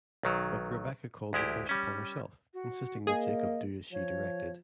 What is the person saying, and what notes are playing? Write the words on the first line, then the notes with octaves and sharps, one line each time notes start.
But Rebekah called the curse upon herself, insisting that Jacob do as she directed.
B1 D#3 F#3
D2 G#3 E4 G4
G3 C#4
F#4
A#3 G#4 D#5
F3 C#5